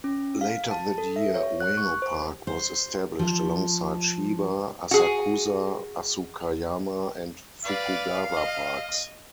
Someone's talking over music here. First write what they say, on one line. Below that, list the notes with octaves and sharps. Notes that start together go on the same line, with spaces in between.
Later that year Ueno Park was established, alongside Shiba, Asakusa, Asukayama, and Fukugawa Parks.
C#4
F5
A5
A4
E5
C#5
F#6
C#6
C5
C5
F3
F#4 G#4
B4 D5 F5
D#5